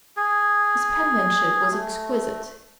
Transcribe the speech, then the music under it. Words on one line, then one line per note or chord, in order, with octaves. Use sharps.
His penmanship was exquisite.
G#4
A3